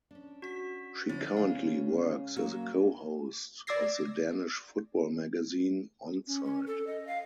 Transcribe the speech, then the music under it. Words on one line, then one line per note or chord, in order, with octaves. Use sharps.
She currently works as co-host of the Danish football magazine, Onside.
C#4 D4
F#4 B6
D3 F3 C#4 E4
C#3 G#3 F5
F#3 A#3
D5 D6 E6 G#6 A#6 C7
C#4
C#4
A4
D#5
F5